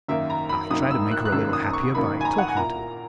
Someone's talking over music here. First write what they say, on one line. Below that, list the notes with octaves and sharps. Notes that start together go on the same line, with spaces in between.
I tried to make her a little happier by talking to her.
G#1 F#2 D#3 A#3 D#4 E5
A#5
B5
G#1 F#2 D#3 A#3 D#4 D#6
E6
F#6
F#6
G#1 F#2 D#3 A#3 D#4 E6
D#6
C#6
G#1 F#2 D#3 A#3 D#4 B5
G#5
A#5
F#5
G#5
A#2 A#3 E4 A#5